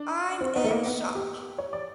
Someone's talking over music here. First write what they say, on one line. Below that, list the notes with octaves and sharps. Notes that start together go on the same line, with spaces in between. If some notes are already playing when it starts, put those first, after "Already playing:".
I’m in shock.
Already playing: D4
C4
B3
A3
A#3
B3
G4
C#5
D5